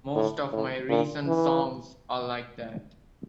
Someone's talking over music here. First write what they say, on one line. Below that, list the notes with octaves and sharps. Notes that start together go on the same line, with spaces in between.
Most of my recent songs are like that.
A2
A2
A#2
E3